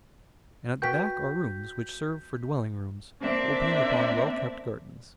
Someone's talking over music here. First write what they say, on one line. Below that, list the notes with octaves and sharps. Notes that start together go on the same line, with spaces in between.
And at the back are rooms, which serve for dwelling rooms, opening upon well-kept gardens.
F#4 B4 G5 G6 B6
A#3 C4 D4 D5 E5